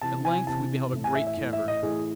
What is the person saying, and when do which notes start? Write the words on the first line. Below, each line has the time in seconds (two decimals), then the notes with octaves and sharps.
At length we beheld a great cavern.
0.01 C3 E3 A5
0.25 G#5
0.47 C3 E3 A5
0.93 A2 E3
1.04 G#5
1.15 E5
1.27 E5
1.37 A2 E3
1.53 E5
1.68 D#5
1.83 A2 E3 G#4